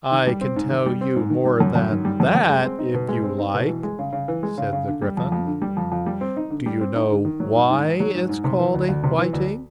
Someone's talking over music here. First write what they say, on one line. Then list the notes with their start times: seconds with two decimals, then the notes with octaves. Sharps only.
'I can tell you more than that, if you like,' said the Gryphon. 'Do you know why it's called a whiting?'
0.11 D#3
0.27 G3
0.41 C4
0.56 G#2
0.71 D#3
0.86 G3
1.01 C4
1.16 G#2
1.30 D#3
1.45 G3
1.60 F#2
1.75 F#2
1.91 D#3
2.05 G3
2.20 F#2
2.35 F#2
2.49 G#3
2.64 C4
2.79 D#4
2.94 B2
3.08 G#3
3.24 C4
3.38 D#4
3.54 B2
3.68 E3
3.83 G#3
3.99 C#3
4.13 C#3
4.28 E3
4.43 G#3
4.58 C#3
4.73 C#3
4.88 D3
5.02 G3
5.17 F2
5.32 F2
5.47 D3
5.62 G3
5.77 F2
5.92 F2
6.06 G3
6.21 C4
6.37 D#4
6.50 D3
6.66 G3
6.81 C4
6.95 D#4
7.10 D3
7.25 D#3
7.40 F#3
7.55 G#2
7.70 G#2
7.85 D#3
8.00 F#3
8.15 G#2
8.29 G#2
8.44 C3
8.59 E3
8.74 D2
8.88 D2
9.03 C3
9.18 E3
9.33 D2